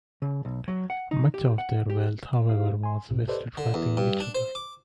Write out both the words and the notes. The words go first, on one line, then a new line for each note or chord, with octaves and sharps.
Much of their wealth, however, was wasted fighting each other.
C#3
B1
F#3
F#5
D#4
G4
F#5
G4
E4 G4 C5 F5
G#5 C6
C2 A2 C3
G4 A4 B4 C5 D5 D#5
D3
E2
G2
D4
C5
D6